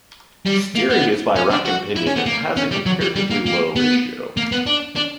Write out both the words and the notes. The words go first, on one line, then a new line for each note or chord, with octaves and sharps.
Steering is by rack and pinion and has a comparatively low ratio.
G3
A#3
B3
C#4
D4
F#4
E4
C#4
B3
A#3
C#4
G3
F#3
G3
G3
A#3
A#3
B3
A#3
B3
D4
D4